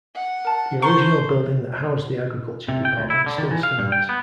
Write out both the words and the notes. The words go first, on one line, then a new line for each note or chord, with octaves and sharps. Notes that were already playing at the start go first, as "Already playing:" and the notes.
The original building that housed the agriculture department still stands.
F#5
A#4 A5
A4 A#4 C5 A#5 C#6
C3
G5
D2
E4
D3
D#3
E3
F5
G2
G5
B3